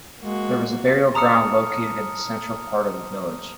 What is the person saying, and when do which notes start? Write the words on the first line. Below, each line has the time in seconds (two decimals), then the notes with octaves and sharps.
There was a burial ground located in the central part of the village.
0.21 G#3 A#3 F#4
1.14 A5 A#5 D#6 F6 C#7